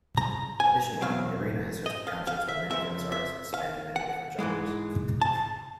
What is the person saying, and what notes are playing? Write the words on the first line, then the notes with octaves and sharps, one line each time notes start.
Additionally, the arena has hosted concerts by many famous artists, spanning many different genres.
A#5
G#5
E2 B2 F#3 C4 F5
D#5
F5
F5
E5
F2 C#3 F3 E5
E5
F5
F#5
G#2 E3 G#3
A5